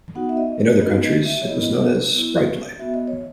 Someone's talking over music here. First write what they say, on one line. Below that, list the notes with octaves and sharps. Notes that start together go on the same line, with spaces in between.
In other countries, it was known as "Sprite Light".
B3 D#4 F#4 F#5
E5
D#5
C#5
B3 D#4 F#4 D#5
D#5
E5
C#5
B3 E4 D#5
B3 E4
B3 F#4 E5
D#5
C#5